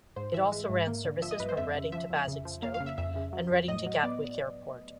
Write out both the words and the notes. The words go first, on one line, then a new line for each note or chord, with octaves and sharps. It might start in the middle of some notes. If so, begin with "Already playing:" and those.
It also ran services from Reading to Basingstoke and Reading to Gatwick Airport.
G#2 C5
E3 E5
G#3
G#2
A#3
D3
F3 E5
D#5
G2 B4
C5
F2 E5
C#3
F3 E5
F2
C#3
F3
A#3 F5
F5
C#3
E5
F2 E5
C#3
F#3
F2
A2 D#5
F#3
B3 D5